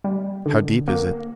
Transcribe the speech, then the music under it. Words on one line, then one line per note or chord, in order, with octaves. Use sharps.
"How deep is it?"
G3
D3
A#3